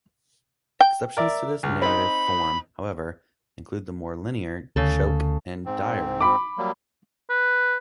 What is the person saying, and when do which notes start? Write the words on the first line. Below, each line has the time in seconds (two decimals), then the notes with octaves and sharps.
Exceptions to this narrative form, however, include the more linear "Choke" and "Diary".
0.81 G5
1.17 A#4 D5 E5
1.63 C#2
1.82 C4 D#4 B5
4.76 D2 C#3 A4
5.65 G#2 C4
6.21 B5 D6
6.58 F#3 G3 A#3
7.30 B4